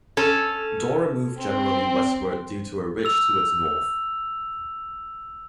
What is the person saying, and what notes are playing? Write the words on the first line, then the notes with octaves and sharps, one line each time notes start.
Dora moved generally westward due to a ridge to its north.
C#4 A4
C4
E6 F7